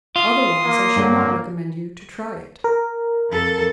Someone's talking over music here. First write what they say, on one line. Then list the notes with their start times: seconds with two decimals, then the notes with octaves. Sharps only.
Otherwise I should not recommend you to try it.
0.16 F4 C6 D#6
0.65 A#3
0.96 G2 D3 F#3
2.64 A#4
3.30 F2 A4